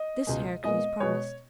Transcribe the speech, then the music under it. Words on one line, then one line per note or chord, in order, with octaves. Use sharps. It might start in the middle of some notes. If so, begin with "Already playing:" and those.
This Heracles promised.
Already playing: D#5
C#2 B2 G#3
A#2 G#3 B3 D#5
B2 G#3 B3 C#5